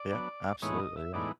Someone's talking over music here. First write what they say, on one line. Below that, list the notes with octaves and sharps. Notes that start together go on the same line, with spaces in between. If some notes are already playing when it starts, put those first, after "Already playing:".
Yeah. Absolutely. Yeah.
Already playing: D5
F#3 B3 D4
A2 E3 G#3 B3 D#4 C#5
D#5
E5
A2 E3 G#3 B3 D#4 D5